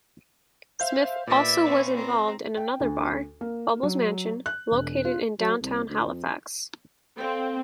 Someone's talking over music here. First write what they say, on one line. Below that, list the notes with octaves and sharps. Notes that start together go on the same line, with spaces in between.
Smith also was involved in another bar, "Bubbles' Mansion", located in Downtown Halifax.
C5 E5 F5 G6
A#2 B4 D5 E5
C4 C#4
C4 A#5
G5
D2
A#3
F#3
F#6
E1
F4
F#3
C2
D2
F2
C4 A4 D5 F5